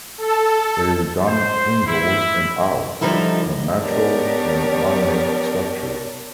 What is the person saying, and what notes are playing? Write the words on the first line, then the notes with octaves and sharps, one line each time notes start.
It is done indoors and out, on natural and manmade structures.
A4
C5
E4
D3 F3 G3 D#4 E4 A#4
B3 D4 G4 A#4 C#5